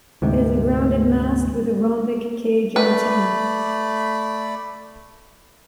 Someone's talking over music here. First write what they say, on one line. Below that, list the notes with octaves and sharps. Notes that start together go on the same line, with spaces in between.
It is a grounded mast with a rhombic cage antenna.
D2 G#2 C3
A3 B4 D5 B5